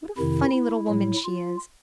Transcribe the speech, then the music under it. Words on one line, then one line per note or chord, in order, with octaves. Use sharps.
What a funny little woman she is.'
F2 C3 D#3 E4
E4
A2 F#3
F4